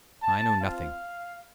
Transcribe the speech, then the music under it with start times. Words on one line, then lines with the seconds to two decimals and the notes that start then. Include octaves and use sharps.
"I know nothing."
0.23 A5
0.60 C4 F4 F5